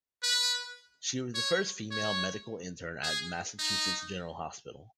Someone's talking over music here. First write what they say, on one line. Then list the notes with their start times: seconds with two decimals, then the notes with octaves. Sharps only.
She was the first female medical intern at Massachusetts General Hospital.
0.23 B4
1.34 C#5
1.91 C#5
3.03 G#4
3.59 D#4